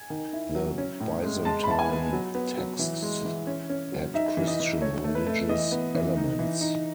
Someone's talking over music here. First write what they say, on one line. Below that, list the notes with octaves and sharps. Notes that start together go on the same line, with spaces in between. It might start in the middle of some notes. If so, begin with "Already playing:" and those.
The Byzantine texts add Christian religious elements.
Already playing: G#5
D#3
E4
F#3
C#4
A2
G#3
G#3 A5
B5
E4 A5
G#5
B3
F#3
B3
F#3
E3
G#3
E3
C#4
C#4
F#3
D#4 E5
E3
D#5
E3
A3 C#5
A3
B4
A3
E3 D#5
B3
E3
D#4
E3
D#4